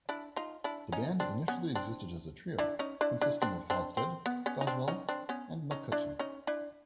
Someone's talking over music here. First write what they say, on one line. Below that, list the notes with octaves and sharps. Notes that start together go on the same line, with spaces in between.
The band initially existed as a trio, consisting of Halstead, Goswell, and McCutcheon.
D4 E4
D#4 F4
D4 E4
C#4 D#4
C4 D4
B3 C#4
C4 D4
D4 E4
C#4 D#4
D4 E4
D4 E4
C4 D4
C4 D4
C4
B3
B3 C#4
D#4
C4 D4
C#4 D#4
C4 D4
B3 C#4
C#4 D#4
D4 E4
C#4 D#4
D4 E4